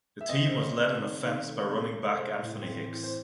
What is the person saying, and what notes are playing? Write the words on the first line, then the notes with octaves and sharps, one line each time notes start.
The team was led on offense by running back Anthony Hicks.
E5
C4 D#5
C5
C#3
C#5
C4
D#3
D#3
A3
C3 A4
C3
A4
G#3 C5
A2
C4
E3
C5